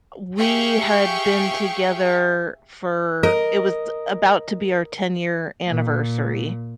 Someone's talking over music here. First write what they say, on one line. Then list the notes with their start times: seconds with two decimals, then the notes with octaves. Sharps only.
we had been together for it was about to be our ten-year anniversary.
0.38 G4 G#4 E5 F5 G5 C#6
3.23 A#4 D#5
5.68 A#2